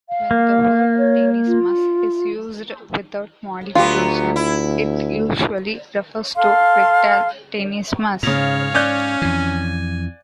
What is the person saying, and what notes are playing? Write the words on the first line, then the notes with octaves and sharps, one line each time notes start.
When the word tenesmus is used without modification, it usually refers to rectal tenesmus.
F5
A#3
C#5
F4
D2 F#3 B3 F4 G4
E4
A4 F5 C6
G#2 C#3 C#5 F5 F7
C#4 D5 F#6 G6
F2 E3 G#5